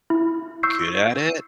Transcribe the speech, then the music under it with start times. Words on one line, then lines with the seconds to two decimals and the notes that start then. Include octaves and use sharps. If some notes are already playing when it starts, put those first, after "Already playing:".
good at it,
0.10 E4
0.63 C#6 E6 G6 C7